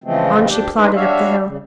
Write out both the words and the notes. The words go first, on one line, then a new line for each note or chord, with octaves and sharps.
On she plodded up the hill.
C#3 E3 F3 G#3 A3 C4
D2 D4 G4
D4 D#4 B4 C5
G3 D4 F#4 C#5 E5 F5
C#3